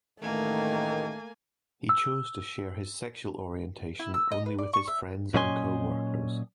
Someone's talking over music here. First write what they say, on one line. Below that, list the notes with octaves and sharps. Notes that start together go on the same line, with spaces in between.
He chose to share his sexual orientation only with his friends and co-workers.
A1 D#2 D#3 A3 A#3 G#5
E6
E4
E6
D#5
B4
D5
C#6
E5
A#2 F#3 C#4 D#5 G#5 C6